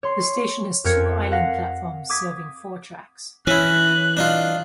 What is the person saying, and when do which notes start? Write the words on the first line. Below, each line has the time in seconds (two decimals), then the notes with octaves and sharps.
The station has two island platforms serving four tracks.
0.03 C#5 C6
0.84 F2 C4 A#4 G#6 C#7
1.31 F5 F#5 A#6 B6
2.10 D6 D#6 G#6 B6
3.47 E3 C#4 E4 F#6
4.17 D4 D#4 F4